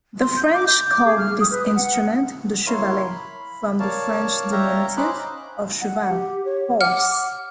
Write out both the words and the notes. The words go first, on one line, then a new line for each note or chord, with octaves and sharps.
The French called this instrument the Chevalet, from the French diminutive of "cheval", horse.
C6
G6
D6
G6
D6
G#4
F6
D#6
B4
F#5
E4 A#4 C#5 F5 C6
B5
A#4 C#5 D5 F5 A5
C#5 E5 F5 G5 A#5
C#4 D#4 C5 B5 D6 F#6
F#5
G4
C#5
F#5 D6 F6